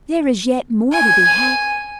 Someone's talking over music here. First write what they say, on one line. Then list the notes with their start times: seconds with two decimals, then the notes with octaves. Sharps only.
"There is yet more to be had!"
0.92 G#5